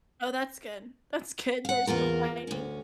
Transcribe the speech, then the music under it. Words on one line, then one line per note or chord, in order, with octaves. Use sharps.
Oh, that's good. That's good, there's no fighting.
F5 F#5
E2 A#3 F4 A#4
D2 C#4